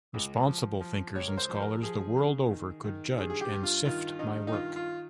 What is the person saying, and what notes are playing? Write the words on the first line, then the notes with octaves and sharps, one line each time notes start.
Responsible thinkers and scholars the world over could judge and sift my work.
C#2
F3
F3
C#2 C#5
A#4
C5
F3
C5
A#4
F3 G#4
C#3
D#3
D#3
G2 G#4
G#4
G4
G2
F4
D#3 F4
G2 D#4
D#4
D#3 F4
F4